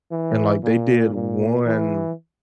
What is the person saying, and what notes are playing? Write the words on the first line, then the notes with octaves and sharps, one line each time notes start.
and, like, they did one,
E3
A#2
A#2
E3